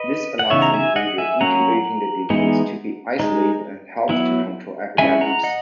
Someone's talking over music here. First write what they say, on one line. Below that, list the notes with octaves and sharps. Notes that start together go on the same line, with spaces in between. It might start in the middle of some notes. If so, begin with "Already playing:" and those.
This allows individuals incubating the disease to be isolated and helps to control epidemics.
Already playing: B4 D#5
F#5
C#3 E3 B3 D#4 C#5 E5
A#5
E5 G#5
D#5 F#5
E5 G#5
F#3 A#3 C#4 F#5 A#5
E3 G#3 B3 D#4
G#3 D#4
F#3 B3 E4
G#3 C#4 E4 E5 G#5
F#5 A#5
D#5 F#5